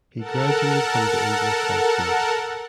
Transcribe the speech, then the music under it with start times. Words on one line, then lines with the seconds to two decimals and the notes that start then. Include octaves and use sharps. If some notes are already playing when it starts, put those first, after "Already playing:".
He graduated from The English High School.
0.18 A4 A#4 F#5 A5